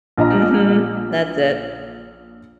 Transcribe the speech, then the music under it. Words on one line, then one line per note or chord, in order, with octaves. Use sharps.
Mhm, that's it.
A#1 D4 D#5 A#5